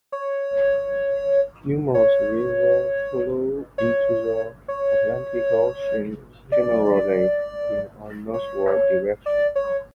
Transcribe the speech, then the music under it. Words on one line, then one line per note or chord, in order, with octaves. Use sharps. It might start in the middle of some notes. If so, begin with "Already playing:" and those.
Numerous rivers flow into the Atlantic Ocean, generally in a northward direction.
C#5
C#5
C#5
C#5
D5
C#5
D5
C#5